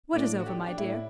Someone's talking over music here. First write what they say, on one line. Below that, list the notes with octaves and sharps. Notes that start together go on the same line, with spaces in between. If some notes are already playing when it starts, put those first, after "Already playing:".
"What is over, my dear?"
A2 D4
F#4
G4
D4
A2 E4